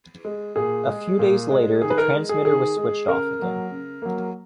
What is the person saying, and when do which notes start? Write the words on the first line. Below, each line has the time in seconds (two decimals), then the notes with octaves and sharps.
A few days later, the transmitter was switched off again.
0.25 G#3
0.56 A#2 G#4
0.87 G#3
1.19 A#2
1.51 G#3
1.82 D#3 G#4
1.90 B4
1.98 A#4
2.14 G#3
2.29 G#4
2.45 D#3 G#4
2.77 G#3
3.07 C#3 A#4
3.39 F#3 A#3
3.71 C#3
4.02 F#3 A#3